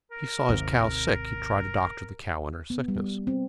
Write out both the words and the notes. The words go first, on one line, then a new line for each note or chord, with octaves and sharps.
If he saw his cow sick, he'd try to doctor the cow in her sickness.
A#4
G#1 D#2 C3
B3
G3
C4